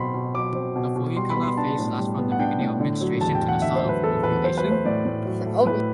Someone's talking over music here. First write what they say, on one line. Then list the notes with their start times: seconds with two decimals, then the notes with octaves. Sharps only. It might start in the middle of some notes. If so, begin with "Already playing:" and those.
The follicular phase lasts from the beginning of menstruation to the start of ovulation.
Already playing: B2 F#3 C4 B5 C6
0.14 B2
0.34 F#3 D6
0.55 C4
0.76 B2
0.96 B2
1.16 G3 C6
1.30 B5
1.36 B3
1.43 C6
1.57 D4 A5
1.78 A2
1.98 G3
2.18 B3
2.32 F#5
2.39 D4 G5
2.60 A2
2.80 D3
3.01 F#3
3.21 E2 A5
3.35 G5
3.41 E2
3.48 F#5
3.62 D3 E5
3.76 C5
3.82 F#3
3.89 B4
4.03 E2 A4
4.23 E2 B4
4.44 F#3 C5
4.58 B4
4.64 A3
4.71 C5
4.85 A2 D5
5.05 A2
5.26 F#3
5.46 A3
5.67 A2 B4